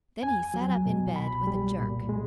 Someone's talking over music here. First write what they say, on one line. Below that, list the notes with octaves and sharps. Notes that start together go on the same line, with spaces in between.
Then he sat up in bed with a jerk.
E2 G#5
F#3
B2
C2 B5
G3
A#2
G#3